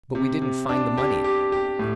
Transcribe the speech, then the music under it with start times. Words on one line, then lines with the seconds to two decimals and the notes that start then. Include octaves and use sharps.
But we didn't find the money in it.
0.15 C3
0.42 C3
0.69 D4
0.97 G4
1.24 G4
1.52 G4
1.79 A2